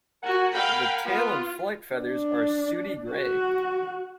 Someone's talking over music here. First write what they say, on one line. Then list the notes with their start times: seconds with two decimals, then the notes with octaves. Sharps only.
The tail and flight feathers are sooty grey.
0.23 F#4 A#4 F#5 G#5
0.53 F5 G5 B5
1.05 B3 F4
1.94 D4
3.12 F#4